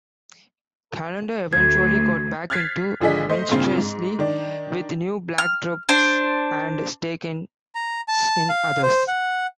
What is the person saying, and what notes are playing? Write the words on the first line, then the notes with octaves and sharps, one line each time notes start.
Callender eventually got back into minstrelsy with new black troupes and stakes in others.
D2 G#6
F6 F#6 G#6 A6 B6 C7
G#1 D3 F3 G#4 D#5 B6
A3 C5 D#5
G2 A#2 C#3 C4 F4
G#2
D#3 D4
F6
D4 C5
A#5
A5
F5
C5
F#5